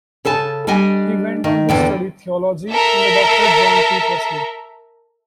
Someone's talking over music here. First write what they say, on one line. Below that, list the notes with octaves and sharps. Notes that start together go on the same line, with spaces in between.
He went on to study theology under Doctor John T. Pressly.
C#3 A4 G#5 A5
G3 D4 D#5 G#5
D#3
E2 D3 G5
A4 A#4 E5 A#5